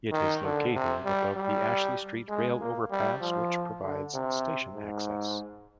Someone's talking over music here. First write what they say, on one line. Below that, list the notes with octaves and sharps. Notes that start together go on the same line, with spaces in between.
It is located above the Ashley Street rail overpass, which provides station access.
D#3
D3
C3
G3
G3
G#3
A#3
G3
F3
D3
C3
G#2